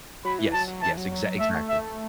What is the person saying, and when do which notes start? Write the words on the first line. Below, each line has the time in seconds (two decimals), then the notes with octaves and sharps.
Yes, yes. Exact exactly.
0.25 F#3 B5
0.39 E3
0.54 F#3 A5
0.68 F#3
0.82 E3 A5
0.97 F#3
1.12 F#3
1.26 F#3
1.40 A3 E5
1.69 E5